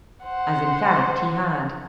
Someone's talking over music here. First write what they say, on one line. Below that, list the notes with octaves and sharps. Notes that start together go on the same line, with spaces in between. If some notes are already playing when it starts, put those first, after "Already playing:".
As, in fact, he had.
C5 F#5